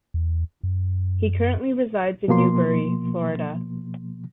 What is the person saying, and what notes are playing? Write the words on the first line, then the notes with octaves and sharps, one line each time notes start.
He currently resides in Newberry, Florida.
E2
F#2
B2 F3 A#3 C6